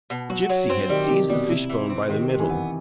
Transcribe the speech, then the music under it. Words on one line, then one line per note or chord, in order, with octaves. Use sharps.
Gipsy had seized the fishbone by the middle.
B2
F#3 F#4
F#3
C4
D#3 G3
C3 G4
B2 G3
C3 E4
E3
C4
C3 D#3
C3
E3
B3